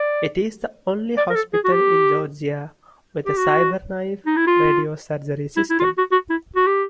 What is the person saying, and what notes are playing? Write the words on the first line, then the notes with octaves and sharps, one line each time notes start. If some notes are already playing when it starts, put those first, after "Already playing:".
It is the only hospital in Georgia with a Cyberknife radiosurgery system.
Already playing: D5
D5
A#4
A4
G#4
F#4
G4
G4
F#4
D#4
E4
F4
E4
E4
F4
F#4
F#4
F#4
E4
F#4
G4